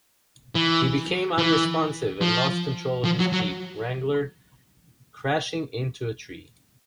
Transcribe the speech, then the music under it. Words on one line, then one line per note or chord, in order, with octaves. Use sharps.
He became unresponsive and lost control of his Jeep Wrangler, crashing into a tree.
E3
E3
F3
F3
F#3
F#3